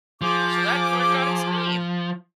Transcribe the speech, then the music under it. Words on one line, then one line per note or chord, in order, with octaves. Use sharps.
so that's where it got its name.
F3 G#4 G#5 D6